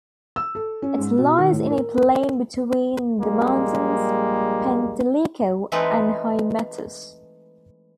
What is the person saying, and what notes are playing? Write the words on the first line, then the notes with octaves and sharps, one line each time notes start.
It lies in a plain between the mountains Penteliko and Hymettus.
E6
A4
C#4
G#2
B2
D#3
A2
A#4
A#1 G3 G#3 A#3
E3 G#3 A3 C4 D#4 B4